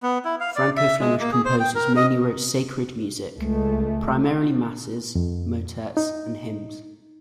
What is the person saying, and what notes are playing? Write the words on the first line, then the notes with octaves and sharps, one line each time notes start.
Franco-Flemish composers mainly wrote sacred music, primarily masses, motets and hymns.
B3
E4
F5
D5
E5
G#3
A#3
G#4
C5
G5
A#4
D#5
C#2 G#3 A3
F2
D#4